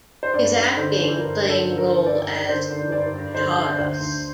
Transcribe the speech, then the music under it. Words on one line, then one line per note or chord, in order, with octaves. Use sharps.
His acting playing role as Mojarras.
C5
G2 D5
G2
D3 C5
D3
G2 A#4
G2
A4
D3
A#4
D3
G2 D5
G2
D3 C5
D3
G2 D5
G2
D3 C5
D3
D2 C5
D2